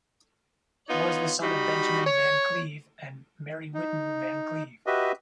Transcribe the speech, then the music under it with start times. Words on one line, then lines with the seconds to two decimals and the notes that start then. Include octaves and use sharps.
He was the son of Benjamin Van Cleve and Mary Whitten Van Cleve.
0.88 B3 D#4 F4 C#5
1.41 G3 D#4 F#4 B5
2.06 C#5
3.74 D#4
4.87 F#4 G4 B4 D#5 E5